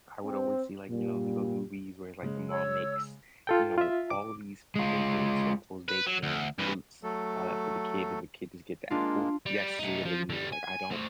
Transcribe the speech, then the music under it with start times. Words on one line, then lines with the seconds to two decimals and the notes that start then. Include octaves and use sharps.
I would always see, like, you know, in those movies where, like, the mom makes, you know, all of these pancakes, waffles, bacon, fruits, all that for the kid, and the kid just get the apple. That's literally me, like, I don't
0.24 C4
0.89 A#2 G3
2.22 C#3 G#3
2.50 C#5 E6
3.47 F4 A4 G5
3.78 F4 E5
4.10 D6
4.76 G#3 F4
5.88 B4
6.06 F#3
6.23 D2
6.59 G2 E3
7.03 F#3 A3 A4
8.91 G#3 A#3 D4 F4
9.46 G3
9.79 A3 D#4
10.05 F3
10.29 D3 G3
10.52 G#5
10.91 A3 C5